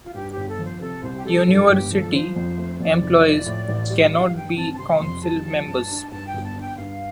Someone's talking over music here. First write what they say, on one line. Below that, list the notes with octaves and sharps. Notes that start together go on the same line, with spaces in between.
University employees cannot be Council members.
F4
G2 G4
G4
G1
A4
F3
C5
C3 A4
C2 C5
G4
G3 A4
G2 A4
G1 G4
F3 A4
F3 C5
F2
A3
F2 D5
F1
F3
A2
A1
G3
G3 F5
G2 G5
C4 A5
A5
C3 C6
F2 C6
G3 A5
F3
G2
D4
G2 A5
G5
G1
A5
D3 G5
G2 F5